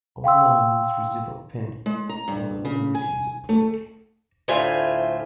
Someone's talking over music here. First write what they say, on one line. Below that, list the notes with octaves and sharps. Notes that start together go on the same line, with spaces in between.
All nominees receive a pin, while the winner receives a plaque.
F5 G5 C6 E6
G#3
A#5
G2
C#3
G#5
A3
D2 A2 E4 F4 C5 G#5